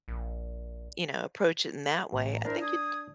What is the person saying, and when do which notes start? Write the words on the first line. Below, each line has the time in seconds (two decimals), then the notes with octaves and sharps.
you know, approach it in that way, I think it
0.08 A#1
2.13 A1
2.33 A#5
2.45 D4 E4 A#4 C5
2.61 D#6 G#6